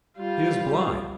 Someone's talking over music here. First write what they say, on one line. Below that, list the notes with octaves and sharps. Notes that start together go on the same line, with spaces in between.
"He is blind."
G3 F4